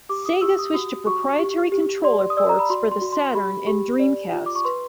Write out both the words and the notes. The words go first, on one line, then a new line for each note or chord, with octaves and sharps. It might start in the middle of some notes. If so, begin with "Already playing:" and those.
Sega switched to proprietary controller ports for the Saturn and Dreamcast.
G4 D6
D#6
G4 E6
D#6
F#4 D#6
F#4 C#6
G4
G4
D5 C6
D#6
D5 E6
A#5
B5
F#4 C6
C6
F#4
C6
G4 B5
G4
D5
F4
D6
C#6
B4 C6